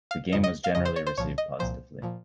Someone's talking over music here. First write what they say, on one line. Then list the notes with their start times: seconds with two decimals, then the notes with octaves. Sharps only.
The game was generally received positively.
0.11 F5
0.32 F2 C#3 F3 D#5
0.44 D#5
0.64 F5
0.75 F2 C#3 F3 D#5
0.85 C5
0.96 C#5
1.07 C5
1.18 C2 A#2 F3 C#5
1.38 D#5
1.59 C2 A#2 F3 C5
2.02 A#2 F3